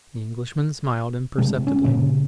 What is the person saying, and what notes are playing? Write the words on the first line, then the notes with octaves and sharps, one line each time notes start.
The Englishman smiled imperceptibly.
C3 G#3
C#4
A#2 C#3